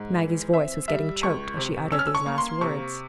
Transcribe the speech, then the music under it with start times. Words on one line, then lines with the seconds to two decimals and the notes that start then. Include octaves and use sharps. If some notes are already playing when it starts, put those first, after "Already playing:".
Maggie's voice was getting choked as she uttered these last words.
Already playing: G#2
0.19 E3
0.53 C4 E5
0.88 G3 E5
1.23 C#2 C#6
1.57 C3
1.92 C#4 E6
1.99 F6
2.07 E6
2.15 C#6
2.26 A#3
2.38 C6
2.61 C3 C#6